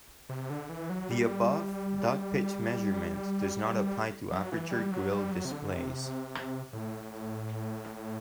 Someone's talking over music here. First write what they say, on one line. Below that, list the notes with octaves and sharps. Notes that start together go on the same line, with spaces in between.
The above dot pitch measurement does not apply to aperture grille displays.
C3
D3
E3
F#3
G3
F#3
E3
G3
F#3
G3
F#3
C3
D3
C3
A2